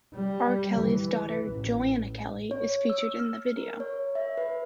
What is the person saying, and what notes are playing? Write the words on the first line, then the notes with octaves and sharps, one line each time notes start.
R. Kelly's daughter Joann Kelly is featured in the video.
G3
E3
A1
C#5
E6
F6
A#4
C#5
E5
B4